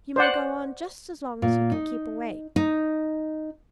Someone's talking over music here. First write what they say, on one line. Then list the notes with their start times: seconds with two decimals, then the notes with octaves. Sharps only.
You may go on just as long as you can keep awake.
0.16 C5 D5 F#5
1.42 A#2
1.72 D#4
2.56 D#4